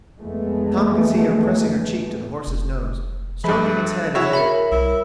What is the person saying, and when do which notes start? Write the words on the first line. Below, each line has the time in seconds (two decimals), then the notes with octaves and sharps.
Tom could see her pressing her cheek to the horse's nose, stroking its head and neck.
0.21 F2 E3 G#3 A3 B3
2.47 F1
3.44 G2 F3 A3 B5
4.15 C#3 E4 F#4 C#5
4.33 A#4 C#5 E5 B5
4.72 C2 E4